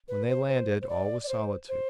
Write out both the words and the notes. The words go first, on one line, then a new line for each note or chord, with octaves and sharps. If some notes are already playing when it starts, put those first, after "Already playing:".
When they landed, all was solitude.
B4
C5
C5
C5
D5
D5
C5
C5